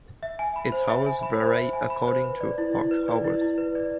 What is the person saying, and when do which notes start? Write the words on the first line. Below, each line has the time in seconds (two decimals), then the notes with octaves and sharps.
Its hours vary according to park hours.
0.23 E5
0.39 G#5
0.56 B5
0.72 C5
0.90 E5
1.06 G#5
1.23 B5
1.40 C5
1.56 E5
1.73 G#5
1.90 B5
2.08 C5
2.24 B4
2.41 D5
2.58 E4
2.75 E4
2.91 B4
3.08 D5
3.24 E4
3.41 E4
3.58 B4
3.75 D5